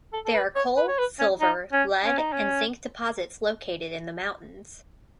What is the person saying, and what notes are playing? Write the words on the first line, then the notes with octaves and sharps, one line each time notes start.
There are coal, silver, lead, and zinc deposits located in the mountains.
A4
A4
B4
C#5
B4
C#5
B4
C#4
D#4
C#4
C#4
D#4
C#4